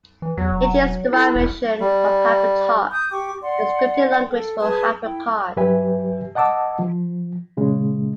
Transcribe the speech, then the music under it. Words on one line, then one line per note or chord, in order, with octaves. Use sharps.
It is a derivation of HyperTalk, the scripting language for HyperCard.
E3
E2 F#3
E1
E4 A4
E1
G3
D#6 G6
G4 G5 C#6 D6
D5 F#5 C6
A4
G#4 B4 A5 D#6
E4 G5
G2 F#3 G4 B4 E5 G#5
D#5 F#5 A5 D6 E6
F3
A#2 C#3 G#3